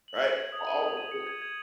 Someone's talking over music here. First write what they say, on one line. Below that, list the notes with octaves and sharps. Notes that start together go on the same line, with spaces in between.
right? Almost go
F#7
G#6
G#6
D#6
D#7
D#6
D#7
C#7
G#6
G#6